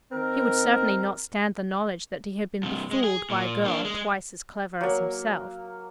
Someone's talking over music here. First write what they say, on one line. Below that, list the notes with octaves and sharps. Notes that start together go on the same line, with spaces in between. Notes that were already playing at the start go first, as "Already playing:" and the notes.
He would certainly not stand the knowledge that he had been befooled by a girl twice as clever as himself.
D#3 C4 A#4
G2 C3
G#3
G#4
A#2
A#3 D4
G#3
F#3 A#3